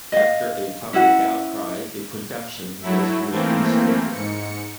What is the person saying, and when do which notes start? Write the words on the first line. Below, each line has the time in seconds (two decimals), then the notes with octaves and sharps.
After a public outcry, the production was reinstated.
0.12 D#5 F5
0.93 C#4 E4 F#4 F#5
2.81 F#3 A3 E4
3.29 E3 A3 A#3 C4
4.12 G#2 C#7